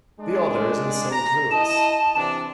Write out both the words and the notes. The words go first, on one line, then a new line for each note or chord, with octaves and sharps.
The other is in Saint Louis.
G#3 D4
A#5
E4 D#5 A5
C3 E3 D4